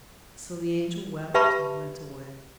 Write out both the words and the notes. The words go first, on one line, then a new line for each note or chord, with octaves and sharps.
So the angel wept and went away.
G4 B4 E5 A5 B5 C#6